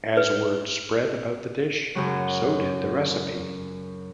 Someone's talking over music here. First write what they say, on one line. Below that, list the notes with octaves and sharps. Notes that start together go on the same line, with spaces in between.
As word spread about the dish, so did the recipe.
B4
F#2 C#3 F#3